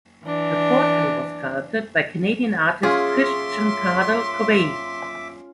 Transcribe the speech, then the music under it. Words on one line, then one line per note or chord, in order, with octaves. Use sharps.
The portrait was sculpted by Canadian artist Christian Cardell Corbet.
E3 D4
C#4 F4 G#4 E5 C6 D6